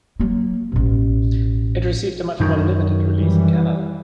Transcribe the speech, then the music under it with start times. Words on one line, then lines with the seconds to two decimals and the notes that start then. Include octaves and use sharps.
It received a much more limited release in Canada.
0.20 F#3 A#3
0.72 A1 B2
2.40 F#2 D#3
3.17 E3 G3